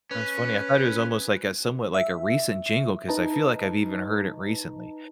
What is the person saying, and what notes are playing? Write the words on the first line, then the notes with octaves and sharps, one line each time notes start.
That's funny. I thought it was almost like a somewhat like a recent jingle 'cause I feel like I've even heard it recently.
C#4 B4
E5
D#4 B4 D#5 A5 A#5